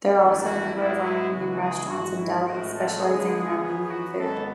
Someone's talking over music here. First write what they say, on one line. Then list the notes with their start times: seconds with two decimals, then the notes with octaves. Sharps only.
There are also a number of Armenian restaurants and delis, specializing in Armenian food.
0.17 G#1 F#2 E3 A3 D4
0.46 F#4
0.75 G#2 G#3 B3 E4
1.04 E4
1.32 C#2 C#3 E3 G#3 B3 F#4
1.61 G#4
1.89 G#1 G#2 E3 F#4
2.18 E4
2.46 A1 A2 E3 G#3 B3 F#4
2.75 A4
3.04 D2 D3 G#3 B3 G#4
3.61 F#2 E3 B3
3.90 F#4
4.19 G#1 G#2 G#3 B3 A4